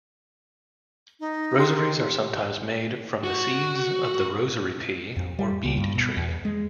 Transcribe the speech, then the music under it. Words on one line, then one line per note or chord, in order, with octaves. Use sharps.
Rosaries are sometimes made from the seeds of the "rosary pea" or "bead tree".
D#4
G4 C6
F#4
F2
G3
C#2
G2
B2
E2
G#3